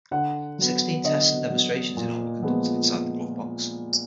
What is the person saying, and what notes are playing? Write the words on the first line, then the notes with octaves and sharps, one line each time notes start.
Sixteen tests and demonstrations in all were conducted inside the Glovebox.
D3 F#5
F#3 B3
D3 D#5
F#3 B3
A#2
F3 G#3 B3